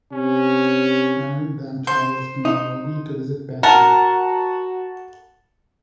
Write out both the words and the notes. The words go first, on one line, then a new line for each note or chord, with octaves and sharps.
Merrin then travels to Nairobi to visit Bession.
C3 C#4
C5
D#4
F#4 A#4 F#5 A5